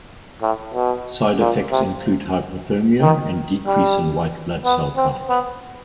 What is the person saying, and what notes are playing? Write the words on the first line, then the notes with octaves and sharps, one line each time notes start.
Side effects include hyperthermia and decrease in white blood cell count.
A2
B2
A#2
C3
D#3
G3
B3
C4
B3